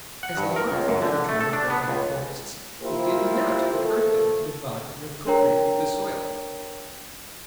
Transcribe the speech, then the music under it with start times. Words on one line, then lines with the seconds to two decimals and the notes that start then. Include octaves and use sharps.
As long as the German tribes dwelt in their forests, it did not occur to them to divide and appropriate the soil.
0.23 F#5
0.37 G2
0.56 A#4
0.72 C#2
0.88 F#2
1.02 D3
1.29 A3
1.40 A4
1.53 D4
1.70 B3
1.88 C#2
2.81 A#3 E4 F4 G4 C5
3.72 F3 A3 A#3 A4
5.27 D4 A#4 C#5 G5 A#5